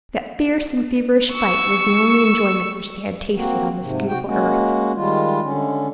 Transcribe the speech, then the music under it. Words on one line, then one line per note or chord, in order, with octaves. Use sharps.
That fierce and feverish fight was the only enjoyment which they had tasted on this beautiful earth.
C#6 E6
A#3 C4 F#4
G#2 C3
C3 F#4 G5
G#3 A#3 C#4 F#4
D#3 G3 G#3 F4
D3 C#4